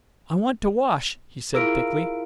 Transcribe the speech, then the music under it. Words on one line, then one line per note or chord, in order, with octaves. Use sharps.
"I want to wash," he said, thickly.
E4 F4 G#4 A#4 E6 D7